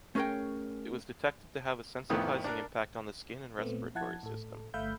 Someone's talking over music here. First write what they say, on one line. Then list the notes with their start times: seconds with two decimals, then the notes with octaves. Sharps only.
It was detected to have a sensitizing impact on the skin and respiratory system.
0.15 A3 C#4 G#4 A#4 C#5 G5
2.10 A1 F2 D#3 B3 E4 D#6
2.44 D4 A#4 F#6
3.59 A#2 A3 B3 C4
3.95 F3 E4 F#5 A5 G#6
4.23 A2 A4
4.74 G1 A3 E5 F5 B5 G6